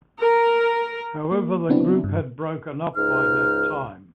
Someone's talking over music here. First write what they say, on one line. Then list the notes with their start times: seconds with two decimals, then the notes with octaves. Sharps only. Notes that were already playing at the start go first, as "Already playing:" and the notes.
However the group had broken up by that time.
0.18 A#4
1.32 A#3
1.69 C#3 F#3 B3 C4 D4 E4
2.04 G2
2.96 C#2 G#2 D#4 F6